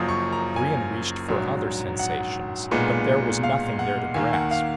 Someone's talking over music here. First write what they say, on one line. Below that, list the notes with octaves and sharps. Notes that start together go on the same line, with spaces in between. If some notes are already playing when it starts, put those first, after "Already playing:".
Brion reached for other sensations, but there was nothing there to grasp.
Already playing: F#1 F#2 F3 A#3 D#6
C#6
A#5
G#5
A#1 G#2 F#3
F#5
B1 A#2 G#3 B3
F5
F#5
D#2 D#3 A#3 G#5
F#5
F5